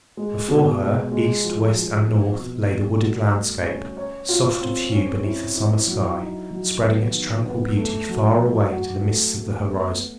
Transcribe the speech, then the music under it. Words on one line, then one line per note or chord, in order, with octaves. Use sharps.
Before her, east, west, and north, lay the wooded landscape, soft of hue beneath the summer sky, spreading its tranquil beauty far away to the mists of the horizon.
G#3
B2
G#3
G#3
F3
F3
B3
B2
G3
F#4
A3
C#4
C#5
F4
C4
C#4
E4
E4
F#3
D#4
F#3
B3
D#3
B3
A3
F#3
F#3
F#4
A3
A3
B3
B3